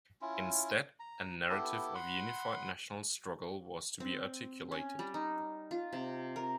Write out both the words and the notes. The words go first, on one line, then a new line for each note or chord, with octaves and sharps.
Instead a narrative of unified national struggle was to be articulated.
C#4 E4 F4
A#5
B3 E4 G4 A4
F#5 B5 C6
C4
C#4
G3
D#4
F4
C3
A#4